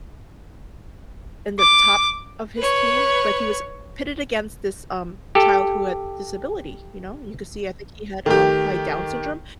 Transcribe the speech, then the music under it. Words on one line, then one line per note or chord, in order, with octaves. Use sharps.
in the top of his team, but he was pitted against this, um, child who had disability, you know? You could see, I think, he had, um, probably Down syndrome,
D6
B4 C#5
G4 A4
D#3 A3 G4